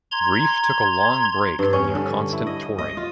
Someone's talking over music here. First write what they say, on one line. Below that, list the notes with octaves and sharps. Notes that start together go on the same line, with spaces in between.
Reef took a long break from their constant touring.
A#5 C6 G#6
G2
C#4
D3
E4
D#5
D#5
F4